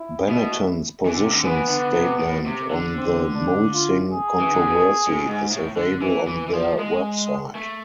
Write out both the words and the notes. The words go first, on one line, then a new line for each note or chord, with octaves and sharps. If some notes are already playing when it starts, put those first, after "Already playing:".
Benetton's position statement on the mulesing controversy is available on their website.
Already playing: E4
B2
E3
D3
C3
D3
E3 B3
D3
C3
A2
C3
D3
C4
D4
F4
G#4
E3
D3
B2
A2
G#2
A2
D3
E3
E3
E3
F3
G#3
A3